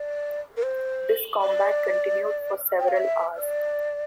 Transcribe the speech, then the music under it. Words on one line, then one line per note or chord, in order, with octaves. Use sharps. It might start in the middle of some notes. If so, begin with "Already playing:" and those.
This combat continued for several hours.
Already playing: D5
A#4
C5
D5
G5
F5
E5
D5